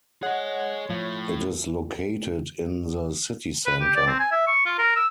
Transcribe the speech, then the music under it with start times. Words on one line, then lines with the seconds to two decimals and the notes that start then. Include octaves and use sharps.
It is located in the city center.
0.23 G#4 C#5 D#5 F#5
0.90 A2 F3
3.66 B4
3.82 G4
3.96 D5
4.08 C4
4.20 G#5
4.32 E5
4.47 C#6
4.66 F4
4.79 A#4
4.96 E6